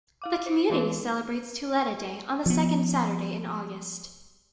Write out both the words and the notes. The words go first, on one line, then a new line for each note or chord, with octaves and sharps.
The community celebrates Tuleta Day on the second Saturday in August.
E4 F5 D6
C5 D7
E3 G#3 B3 C#4 D#4 B4
F3 B3